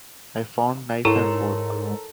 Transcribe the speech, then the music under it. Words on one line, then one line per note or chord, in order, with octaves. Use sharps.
I found knife and fork.
G#2 E4 A4 A#4 C#5 A#5 C6 E7